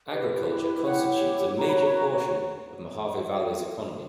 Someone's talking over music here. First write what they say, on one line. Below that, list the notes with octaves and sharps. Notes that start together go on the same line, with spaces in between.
Agriculture constitutes a major portion of Mohave Valley's economy.
E4 G4 B4
E4 G4 C#5 F#5
F#4 C#5 A#5
B5
A#5
B5
A#5